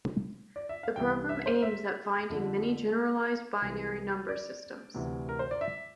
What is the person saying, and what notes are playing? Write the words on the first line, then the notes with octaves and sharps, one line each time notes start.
The program aims at finding many generalized binary number systems.
D5
E5
F5
C2 C3 E3 G5
E5
C5
E5
F2 D3
C2 C3 E3
D5
D2 C3 E3
A#4
C5
D5
E5